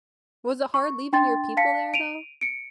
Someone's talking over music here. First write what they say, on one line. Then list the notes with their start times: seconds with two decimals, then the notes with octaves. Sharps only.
Was it hard leaving your people there, though?
0.74 C#6
1.13 D4 G5 C6 A6
1.57 F5 A5 B6 C#7
1.94 D7 D#7 F7
2.41 C#7 D7